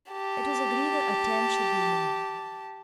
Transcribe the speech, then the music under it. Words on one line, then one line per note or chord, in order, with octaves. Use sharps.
It was agreed the attempt should be made.
G4 A5